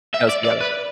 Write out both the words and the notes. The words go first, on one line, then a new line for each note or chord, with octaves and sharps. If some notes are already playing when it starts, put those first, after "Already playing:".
goes together.
E5
D5
D5
B4